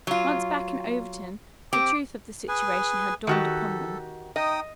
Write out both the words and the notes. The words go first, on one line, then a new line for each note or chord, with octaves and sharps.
Once back in Overton, the truth of the situation had dawned upon them.
F#3 F4
C4 G4 D6
G#4 B4 G#5
D#3 F#4 G4 A4
D#4 D#5 G5 D#6